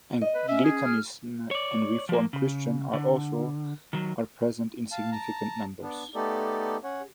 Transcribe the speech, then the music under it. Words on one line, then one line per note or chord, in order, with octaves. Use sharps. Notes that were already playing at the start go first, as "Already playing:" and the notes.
Anglicanism and Reformed Christian are also are present in significant numbers.
D#5
B4
C#4 E5
G#4
F6
C#5 D5
F3 A#3
C#3
D3
D#3 F#3
F5 A5
A5 A#5
B3 D4
A3 B3 D#4 G4 A4 D5
C#4 C#5 F#5